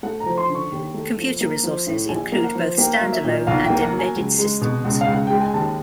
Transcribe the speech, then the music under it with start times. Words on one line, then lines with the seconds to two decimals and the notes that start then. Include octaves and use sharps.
Computer resources include both stand-alone and embedded systems.
0.03 A3 F#5
0.20 A#5
0.26 F3
0.38 C6
0.49 D3
0.55 C#6
0.72 D#2
0.94 A3
1.18 F3
1.41 A#3
1.63 F3
1.87 A2
2.09 A#1 G#5
2.32 A#3
2.44 F#5
2.55 F3
2.78 A#3 G5
2.95 F5
3.01 F#3
3.13 E5
3.24 A#2
3.47 B1 F5
3.64 G5
3.70 A#3
3.81 F#5
3.92 F#3
3.99 G#5
4.15 C#2
4.39 G#3
4.61 B2
4.85 C#2
5.01 F5
5.08 C#2
5.14 F#5
5.27 G#3 G5
5.40 G#5
5.53 D#2 A5